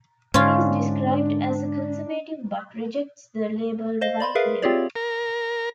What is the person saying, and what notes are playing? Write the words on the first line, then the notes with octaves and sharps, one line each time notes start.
He is described as a conservative but rejects the label "right-wing".
G#2 D3 C#4 D4 F4
C5 D#5 F5
D5 B5 C6
G#4 A#4 B4 E5 F5
C4 F4 G4 G#4 C#5 D5
A#4